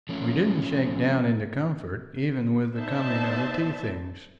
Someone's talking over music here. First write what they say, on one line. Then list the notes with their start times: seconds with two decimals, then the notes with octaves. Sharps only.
We didn't shake down into comfort even with the coming of the tea-things.
0.09 F3 A3 C#4
2.76 B3 D#4 C5 D5 E5 A5